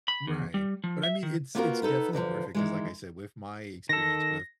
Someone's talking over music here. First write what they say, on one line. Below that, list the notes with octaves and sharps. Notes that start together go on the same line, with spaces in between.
Right. But, I mean, it's it's definitely worth it, 'cause, I said, with my experience with,
B5
E2
G3
F3
E5
D#3
A#3 B3 F4 F#4 A4 A#4
B3 D#4 A4 B4
E2 D3 E3 F3
D#3 E3 G#3
D#3 A4 A#6